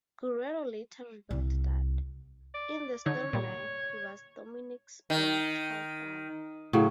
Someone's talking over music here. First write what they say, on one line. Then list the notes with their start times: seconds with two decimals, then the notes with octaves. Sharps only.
Guerrero later revealed that, in the storyline, he was Dominick's biological father.
1.31 C2
2.54 D5
3.06 D3 D#4 C#5
3.33 A#2 G3
5.10 D#3
6.73 A2 C#3 F#3